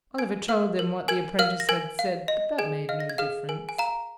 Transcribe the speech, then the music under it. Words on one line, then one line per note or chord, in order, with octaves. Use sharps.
Oliver told them what the apprentice had said, but that made no difference.
A#4 G#5 G#6
A#4 F5 F6
A#4
A#4 G#5 G#6
A#4 F5 F6
A#6
A#4 G#5 G#6
F5
D#5
G#4 G#5 G#6
D#5 F5 F6
A#6
G#6
G#4 F5 F6
A#4 G#5
G#5
F5 A#5